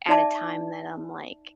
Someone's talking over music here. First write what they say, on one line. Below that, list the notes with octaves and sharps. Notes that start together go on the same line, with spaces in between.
at a time that I'm, like,
D#4 D5 E5 A5 D6